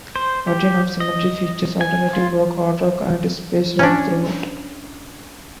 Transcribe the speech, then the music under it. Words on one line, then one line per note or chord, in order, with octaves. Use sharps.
"Origin of Symmetry" features alternative rock, hard rock, and space rock throughout.
C5
G4
D#5
G#5
F4
C#4 D4